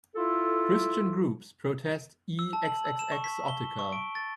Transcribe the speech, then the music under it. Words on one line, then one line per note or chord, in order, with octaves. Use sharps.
Christian groups protest eXXXotica.
E4 F4 A4
E6
A5
F#7
E6
E7
C#6
B6
G7
C#6
D7
A6